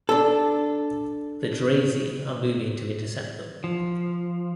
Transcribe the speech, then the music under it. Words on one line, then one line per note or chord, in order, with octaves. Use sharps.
The Drazi are moving to intercept them.
D4 A4
F3